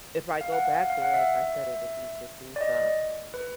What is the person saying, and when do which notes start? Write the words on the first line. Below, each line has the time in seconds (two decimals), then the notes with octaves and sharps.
if I go back there, as I said, it'll be to see some
0.41 F5
0.52 F#5
0.65 F5
0.90 F5
1.02 F#5
1.14 E5
2.56 D5
2.61 D#5
3.34 B4